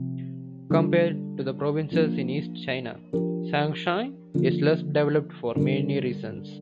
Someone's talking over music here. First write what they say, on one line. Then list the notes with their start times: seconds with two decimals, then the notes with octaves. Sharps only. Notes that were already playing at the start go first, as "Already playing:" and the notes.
Compared to the provinces in east China, Shanxi is less developed for many reasons.
Already playing: C3 F3 C4
0.70 D3 G3 D4 F4
1.91 F3 A#3 D4
3.13 F3 D4 G4 A#4
4.34 D3 F3 A#3 F4
5.56 D3 G3 D4 A#4